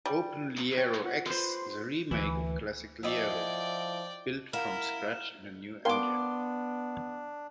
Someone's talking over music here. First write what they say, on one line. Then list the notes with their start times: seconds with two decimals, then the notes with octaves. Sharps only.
OpenLieroX is a remake of classic Liero, built from scratch in a new engine.
0.06 G3
0.77 C#5 G5
1.04 F4 F#5
1.26 B4 C5 C6
2.11 D2 E3
3.03 F3 E4 D5 D#5 G5
4.53 E4 A#4 F5 F#5 F6 E7
5.85 B3 D4 A#4 F5 G5 C6 D6